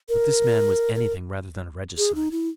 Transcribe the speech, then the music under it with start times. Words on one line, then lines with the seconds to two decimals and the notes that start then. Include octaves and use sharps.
But this man was anything rather than a regicide.
0.09 A#4
0.95 A#4
1.98 G#4
2.15 D#4
2.31 E4